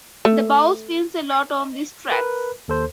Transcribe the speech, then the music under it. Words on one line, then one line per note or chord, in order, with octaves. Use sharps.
The bowl spins a lot on these tracks.
A3
A#4 B4
D#2 A4 C5